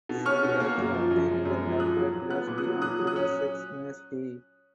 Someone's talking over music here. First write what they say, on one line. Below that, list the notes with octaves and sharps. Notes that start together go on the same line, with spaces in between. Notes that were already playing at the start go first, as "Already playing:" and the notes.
She later obtained her Doctor of Philosophy from Middlesex University.
B2
C#4 C#6 F6
B2
A#3
F#2
F3
F#2
G#3
F#2
F3
A#2 D#6 F#6
F#3
A#2
B3 F#6
A#2
D#6 F#6
F#3
A#2 D#6 F#6
F#3
D#6 F#6
C#4